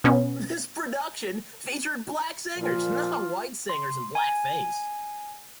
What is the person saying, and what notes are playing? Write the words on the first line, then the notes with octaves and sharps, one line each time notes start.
This production featured black singers, not white singers in blackface.
B2 B3 C#4
A#2 F3 F4
C6
G#5